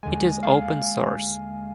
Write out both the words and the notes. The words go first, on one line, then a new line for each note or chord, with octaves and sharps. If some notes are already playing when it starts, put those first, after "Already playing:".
It is open source.
D#2 D3 G#3 G#5
F5